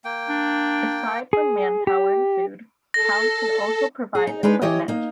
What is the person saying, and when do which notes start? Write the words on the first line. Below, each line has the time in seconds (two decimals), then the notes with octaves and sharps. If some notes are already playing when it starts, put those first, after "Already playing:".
Aside from manpower and food, towns can also provide equipment.
0.05 A#3 G5
0.29 D4
1.33 G#4
1.87 G4
2.94 A4 A#6
4.15 G#4
4.27 D#4
4.43 G#3 D4 D#4 B4
4.62 E3 G4 C#5 D#5
4.88 A#3 D#4